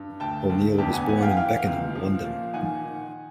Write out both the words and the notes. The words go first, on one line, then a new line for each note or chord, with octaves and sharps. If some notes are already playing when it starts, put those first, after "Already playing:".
O'Neil was born in Beckenham, London.
Already playing: G2
D2 G5 A5
D2
E2 G5 A5
F#5 G#5
E3 F#5 G#5
F#5
F5 G5
E3 F5 G5
C#2
F3
A#2
D#3 F#5 G#5
D#3